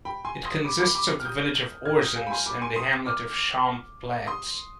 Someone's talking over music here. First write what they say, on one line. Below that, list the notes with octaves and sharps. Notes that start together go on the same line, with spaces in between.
It consists of the village of Orzens and the hamlet of Champs Plats.
G5 B5
G#5 C6
C6 D#6
B5 D6
B5 D6
B5 D6
F6
D#6 G6
F6 G#6
D#6 G6
F5 G#5
B5
G#5 C6
B5 D6
G#5 C6
C6 D#6
D6 F6
C6 D#6